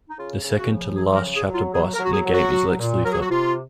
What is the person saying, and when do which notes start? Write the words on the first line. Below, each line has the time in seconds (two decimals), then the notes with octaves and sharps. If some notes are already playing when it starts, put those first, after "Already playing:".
The second to the last chapter boss in the game is Lex Luthor.
0.09 D#4
0.18 C#3 F4
0.43 C#3
0.56 F#4
0.69 F3
0.95 F#3 G#4
1.16 A#4
1.22 C#3
1.35 G#4
1.48 F#3
1.54 F4
1.73 F#3 G#4
1.94 A#4
1.99 F#3 F#4
2.12 G#4
2.26 F#3
2.33 F#4
2.52 F#3
2.79 A#2
3.04 F#3 A#4
3.12 G#4
3.21 F#4
3.30 C3 F4